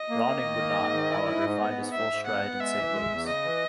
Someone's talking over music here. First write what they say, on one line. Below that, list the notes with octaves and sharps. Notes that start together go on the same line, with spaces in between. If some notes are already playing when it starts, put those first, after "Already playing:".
Ronning would not, however, find his full stride in Saint Louis.
Already playing: D#5
A#3
A#3
D#3
A#3
G#2
D#3
E4
G#2
G#2
B3
G#2
G#2 E5
G#2
B3 F#5
B3
G#3 E5
E3
G#3
E2
C#3 D#5
E3